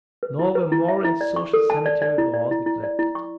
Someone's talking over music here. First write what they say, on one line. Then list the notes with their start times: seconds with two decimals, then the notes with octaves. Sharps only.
Nor were moral and social sanitary laws neglected.
0.23 B4
0.39 E4
0.55 B4
0.72 E4
0.88 E5
1.04 E4
1.21 D5
1.36 C#6
1.53 A4
1.70 A5
1.86 D5
2.02 D5
2.18 E4
2.34 D5
2.51 E4
2.66 E4
2.84 D5
2.99 E4
3.15 C#6